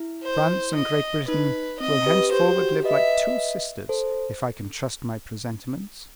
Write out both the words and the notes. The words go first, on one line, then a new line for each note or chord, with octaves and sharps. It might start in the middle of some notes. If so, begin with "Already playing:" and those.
"France and Great Britain will henceforward live like two sisters, if I can trust my presentiments."
Already playing: E4
C5
D#5
D#4 B4
C4 D#5
G4 B4
G4 C5
F#4
G4
B4 D#5 E5
A4 C5